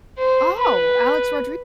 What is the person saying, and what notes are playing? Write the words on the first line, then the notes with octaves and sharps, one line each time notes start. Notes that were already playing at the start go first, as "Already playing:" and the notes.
Oh, Alex Rodri
C5
B4